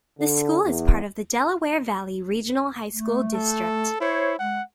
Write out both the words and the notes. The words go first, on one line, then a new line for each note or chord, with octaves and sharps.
The school is part of the Delaware Valley Regional High School District.
D3
E2
A3
A4
E4 C5 C#5
G#3 F#5